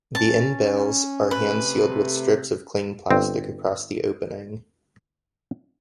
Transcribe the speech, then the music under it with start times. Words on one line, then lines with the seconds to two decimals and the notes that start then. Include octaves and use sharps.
The end-bales are hand-sealed with strips of cling plastic across the opening.
0.15 C#4 A5
1.31 C3 A3 B4
3.10 G1 C4